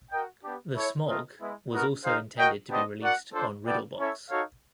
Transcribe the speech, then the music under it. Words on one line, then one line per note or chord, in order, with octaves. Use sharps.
"The Smog" was also intended to be released on Riddle Box.
F#4 A#4 D#5 G5
B3 D4 G4
E4 A4 C#5
A3 C4 F4 A#4 D#5
G#3 B3 E4
B3 D#4 F#4 A#4
D#4 G#4 C5 F5
F#4 A#4 D#5 G5
B3 D4 G4 C5 D#5
F#4 A#4 D5 F#5
D4 F4 A4 C5
B3 E4 A4 D5 G5
C#4 E4 A4 C#5 E5
D#4 F#4 A4 C#5 F5